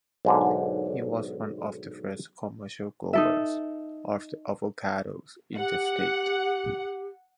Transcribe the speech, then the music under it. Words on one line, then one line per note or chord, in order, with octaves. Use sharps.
He was one of the first commercial growers of avocados in the State.
B1 G#2 D3
D#4 A4 E5
G4 F#5